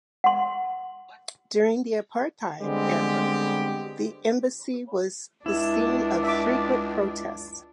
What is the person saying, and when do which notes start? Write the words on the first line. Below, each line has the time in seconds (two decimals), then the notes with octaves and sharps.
During the apartheid era the Embassy was the scene of frequent protests.
0.24 F#5 C6
2.61 D3 G3 G#3 B3 C4 G4
5.46 C#2 D4 E4 D5
6.24 E5 D6